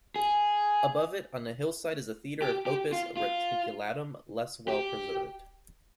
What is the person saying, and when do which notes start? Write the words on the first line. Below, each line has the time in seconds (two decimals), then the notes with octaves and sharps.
Above it on the hillside is a theatre of "opus reticulatum", less well preserved.
0.16 G#4
2.42 G4
2.66 G4
2.93 F4
3.17 F4
4.68 G4